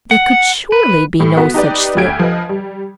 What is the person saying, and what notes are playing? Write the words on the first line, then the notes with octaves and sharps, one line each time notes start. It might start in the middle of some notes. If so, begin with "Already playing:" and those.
There could surely be no such slip!
F#5
B4
A2 E3 G3
B3 F#4
D#4 G4 B4 D5
D2 G4 G#6 D7
F3 B4 D#5
G3